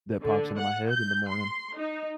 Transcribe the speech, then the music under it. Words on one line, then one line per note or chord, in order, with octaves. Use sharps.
that pops into my head in the morning.
D3
F#5
G6
C6
D#4